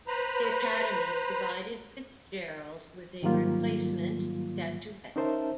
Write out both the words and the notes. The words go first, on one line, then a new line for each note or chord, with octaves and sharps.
The Academy provided Fitzgerald with a replacement statuette.
B4 C5 A#5 B5
G#2 D#3 F#3 G3 A#3 F4
C#4 D#4 A#4 C5 E5 A5